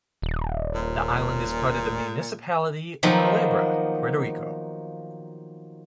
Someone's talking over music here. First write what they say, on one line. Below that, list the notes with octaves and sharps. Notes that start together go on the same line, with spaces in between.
The island is part of the municipality of Culebra, Puerto Rico.
D#1
A#2
D#3 F3 F#3 A#3 B3